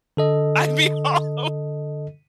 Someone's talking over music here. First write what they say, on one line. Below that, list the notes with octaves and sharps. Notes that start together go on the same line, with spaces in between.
I'd be all over
D3 A4 D#5